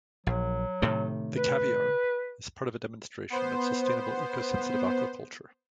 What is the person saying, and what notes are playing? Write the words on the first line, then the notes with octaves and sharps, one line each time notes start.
The caviar is part of a demonstration of sustainable eco-sensitive aquaculture.
A#1 F#3
A2 C3 D#3
B4
B3 C5